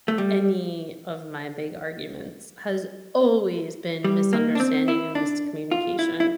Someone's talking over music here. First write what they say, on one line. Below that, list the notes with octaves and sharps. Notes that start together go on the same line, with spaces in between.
any of my big arguments has always been misunderstanding and miscommunication.
A3
G3
G3
A#3
D4
C4
E4
D4
F4
E4
E4